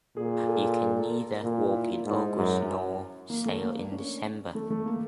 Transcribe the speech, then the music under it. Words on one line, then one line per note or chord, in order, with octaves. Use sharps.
You can neither walk in August nor sail in December.
A#2 G#4
A4
A4
G#4
A4
A#4
A#2 F4
E4
F4
E4
G#2
F#2
A#3
A3
A#3
D4
C#4
A3
A3
A#3